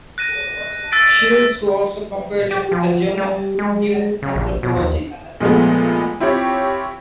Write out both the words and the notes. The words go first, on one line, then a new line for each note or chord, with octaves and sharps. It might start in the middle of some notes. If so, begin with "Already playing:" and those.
Shields, who also compared it with the German "Neue Anthropologie".
F#6 A#6 D#7
E6 F#6 A6 B6 D7
G4
F3
G3
G#3
C#3
A#1
B2
D#2
A#2 F3 G#3 A3 B3
C4 E4 F4 G4 C#5